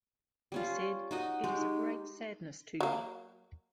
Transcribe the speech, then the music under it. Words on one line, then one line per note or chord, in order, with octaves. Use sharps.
He said, 'It is a great sadness to me.
G3 C#4 F4
D#4 F#4 D#5
G#3 G4
D#4
F#3 A#3